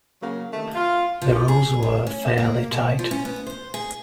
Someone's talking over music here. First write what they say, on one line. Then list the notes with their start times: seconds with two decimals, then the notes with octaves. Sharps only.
The rules were fairly tight.
0.21 C#3 F#3 A#3
0.53 C3 D#3 A3
0.74 F4
1.22 F3
1.48 G#4
1.83 D2
2.07 C#4
2.38 A#3
2.71 B2
2.99 F3
3.11 C#4
3.25 B3
3.47 C5
3.74 G#4